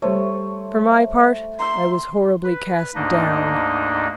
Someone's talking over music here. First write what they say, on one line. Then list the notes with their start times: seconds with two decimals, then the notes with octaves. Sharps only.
For my part, I was horribly cast down.
0.02 G3 A3 C5 C#5
1.59 E5 A#5 C6
2.44 B4
2.95 D2 G#2 A#3 D4 D#4 D#5